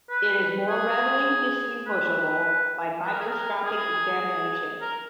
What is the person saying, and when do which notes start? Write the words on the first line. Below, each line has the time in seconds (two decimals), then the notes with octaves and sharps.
It is more readily distinguishable by microscopic examination.
0.10 B4
0.69 G#4
1.86 B4
3.05 B4
3.13 A#4
3.20 G#4
3.29 A#4
3.64 G#4
4.81 A#4